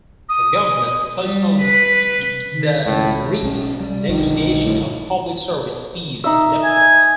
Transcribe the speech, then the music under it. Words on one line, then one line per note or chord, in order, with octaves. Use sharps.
The government postponed the renegotiation of public service fees indefinitely.
D#6
G3
B4
D#3
C#2 A2
B1 C#4
G3
A#1 G2 D3 D#3
A2
D#4 E5
G#5